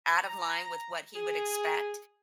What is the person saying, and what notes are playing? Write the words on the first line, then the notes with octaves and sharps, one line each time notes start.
out of line with what he would expect.
A#5
G#4